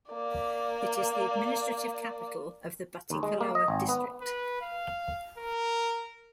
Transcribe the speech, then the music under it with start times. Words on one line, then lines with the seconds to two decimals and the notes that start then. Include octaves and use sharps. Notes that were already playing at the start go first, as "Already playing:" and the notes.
It is the administrative capital of the Batticaloa District.
0.11 A#3 D5
3.10 D#2
3.23 G#3
3.41 A#3
3.55 D#5
3.68 G#1
3.89 B3
4.21 B4
4.61 F5
5.38 A#4